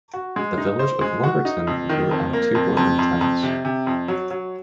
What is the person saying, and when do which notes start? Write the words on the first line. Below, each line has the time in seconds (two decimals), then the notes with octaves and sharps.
The village of Lumberton grew out of two bordering towns.
0.14 F#4
0.36 G#3
0.58 D#4
0.79 C5
1.01 G#3
1.24 F#4
1.45 D#4
1.67 F2
1.89 D#3
2.11 F2
2.33 A#3
2.55 F2
2.77 F2
2.99 F2
3.21 F2
3.43 C3
3.65 C3
3.87 F2
4.08 F#3
4.31 F#3